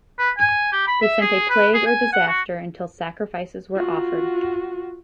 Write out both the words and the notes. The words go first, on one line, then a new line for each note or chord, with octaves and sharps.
They sent a plague or disaster until sacrifices were offered.
B4
G#5
G4
B5
E5
G#4
B4
G#4
G#5
F#5
F#4
F4 F#4